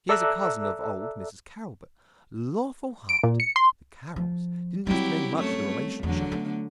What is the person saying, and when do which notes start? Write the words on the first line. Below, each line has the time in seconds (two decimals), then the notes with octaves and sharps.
She is a cousin of old Mrs. Carroll, but, lawful heart, the Carrolls didn't used to make much of the relationship!
0.09 A4 D5 E5 A#5 E6 F#6
3.09 D7
3.24 A#2
3.40 C#7
3.56 C6
4.16 F3
4.87 F#3 G3 C4 E4 G4
5.36 F#2 A3 C#5
5.68 A3
6.03 F1 E2 D3 F#3
6.32 A3 B3